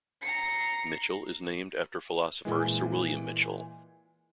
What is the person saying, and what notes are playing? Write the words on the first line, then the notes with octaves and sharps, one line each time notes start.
Mitchell is named after philosopher Sir William Mitchell.
A#5 C7 C#7
A#2 E3 G#3